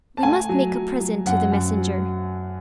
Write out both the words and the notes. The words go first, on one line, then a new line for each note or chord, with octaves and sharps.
"We must make a present to the messenger."
A5
A3 G#5
F#3
F#3
F#3
F#2 F#5
F#2
F#3